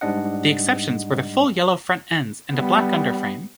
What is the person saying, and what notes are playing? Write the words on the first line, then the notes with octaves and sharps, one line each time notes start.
The exceptions were the full yellow front ends and a black underframe.
G#2 G3 D4 D#5 F#5
G3 B3